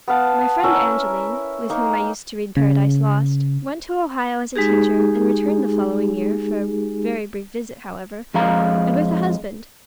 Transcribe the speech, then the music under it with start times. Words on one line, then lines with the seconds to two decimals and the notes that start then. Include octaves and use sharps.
My friend Angeline, with whom I used to read "Paradise Lost," went to Ohio as a teacher, and returned the following year, for a very brief visit, however,--and with a husband.
0.08 B3 B4 F5 A5
0.64 C#4 E4 A#4 E5
1.70 A#3 D#4
2.57 C#3
4.56 G#3 D#4 G4 G#4
8.34 F2 G#3 F5 A#5